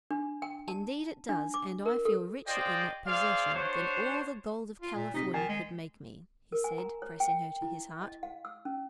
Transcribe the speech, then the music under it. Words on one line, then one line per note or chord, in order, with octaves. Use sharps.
"Indeed it does, and I feel richer in that possession than all the gold of California could make me," he said, pressing her to his heart.
D4
G5
A5
D4
D6
A#4
A4
F4 G#4 C5 D5 D#5 G5
G#4 C5 D5 F5
D4 F#4 C5 C#5
F4
A#2
C3 D#4 B6
D#3 G#5 A6 C7
G#3
A#4
G#5
A#5
C#5
G5
E4
D#5
F5
E6
C#4